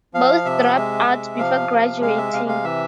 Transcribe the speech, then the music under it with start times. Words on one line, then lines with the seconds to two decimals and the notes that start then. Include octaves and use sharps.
Both dropped out before graduating.
0.14 F3 F5
0.45 C3 E5
0.76 G#3 E5
1.08 C3
1.39 F3 F5
1.70 C3
2.01 G#3 F5
2.18 E5
2.33 C3 F5
2.49 F5
2.64 E3 E5